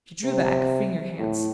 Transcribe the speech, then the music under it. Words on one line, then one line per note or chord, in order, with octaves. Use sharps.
She drew back, freeing her hands.
C3
A2